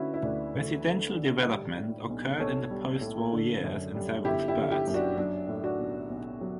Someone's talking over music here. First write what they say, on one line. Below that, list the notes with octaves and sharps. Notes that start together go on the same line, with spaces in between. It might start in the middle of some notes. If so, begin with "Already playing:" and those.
Residential development occurred in the postwar years in several spurts.
Already playing: D3 A3 C#4 E4 F#4 B4
E4
D2 D4
D2
A3
D3
G3
A2
B1
B1 A4 C#5
G3
A2
D3
F#2
G3
G1 E4 G4
E4 G4
D3
E4 G4
F#2
D4 F#4
F#3 D4
A2
D4 F#4
B1
B1
F#3